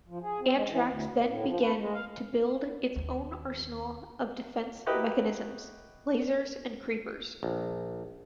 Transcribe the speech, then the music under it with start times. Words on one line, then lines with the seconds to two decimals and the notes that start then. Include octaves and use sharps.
Antrax then began to build its own arsenal of defence mechanisms: lasers and Creepers.
0.08 F3
0.22 G#4
0.40 C4
0.54 G#3
0.68 E3
0.85 D2
1.12 E2
1.26 A2
1.46 F3
1.62 B4
1.78 G#3
1.94 F5
2.96 D#2
4.86 E4 F#4 G4 A#4 B4 D#5
7.43 A#1